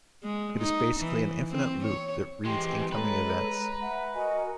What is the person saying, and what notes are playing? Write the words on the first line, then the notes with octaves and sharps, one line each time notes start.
It is basically an infinite loop that reads incoming events.
G#3
D#4
E3
C4
C#5
E3 G#3 C4 G4 G5 C6
G#3 A4 B4 C#5 A#5
E5 F#5
F#4 A#4 D#5 G#5